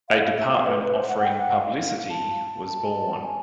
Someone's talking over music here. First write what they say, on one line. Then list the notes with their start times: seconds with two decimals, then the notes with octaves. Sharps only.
A department offering Publicity was born.
0.09 F5
0.37 E5
0.52 F5
0.66 B4
0.80 B4
0.95 C5
1.09 F#5
1.23 G5
1.38 F#5
1.52 F5
2.10 A5
2.66 A5
3.23 G#5